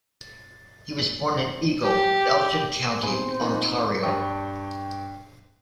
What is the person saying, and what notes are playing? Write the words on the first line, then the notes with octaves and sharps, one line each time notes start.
He was born in Eagle, Elgin County, Ontario.
G4
A#2 B3 C4 D#4 G#4 B4 C5
C#4 D#4 F4 A#4 F#5
G2 D4 G5 C#6